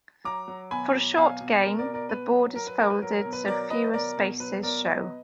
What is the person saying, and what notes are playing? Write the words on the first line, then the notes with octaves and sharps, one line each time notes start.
For a short game, the board is folded so fewer spaces show.
F#3 A#5 D6
F#3
B2 G#5 B5
F#3
B2 F5 G#5
B2
B2 A#4
A#4 D5
B2
A#4 D5
B2 B4
F#3
F#3 A#4
B4
F#3 A#4
B4
F#3 A#4
A#4
B2
B4
F#3 A#4 D5
F#3 B4 D#5
B2 A#4 D5
B2
F#3 B4
B2 A#4 D5
F#3 B4 D#5